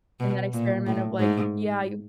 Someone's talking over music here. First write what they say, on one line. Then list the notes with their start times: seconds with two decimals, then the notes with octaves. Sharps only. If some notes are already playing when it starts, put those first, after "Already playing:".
and that experiment of like yeah, you
0.20 B2
0.53 A#2
0.87 A2
1.19 G#2